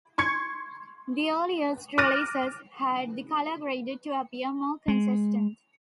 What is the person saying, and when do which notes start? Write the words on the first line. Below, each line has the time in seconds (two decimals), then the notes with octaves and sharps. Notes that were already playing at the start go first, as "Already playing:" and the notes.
The earliest releases had the colour graded to appear more consistent.
0.18 C6 C#6 G#6 C#7
1.98 D6 F6 F#6 A6 A#6 D#7
4.88 G#3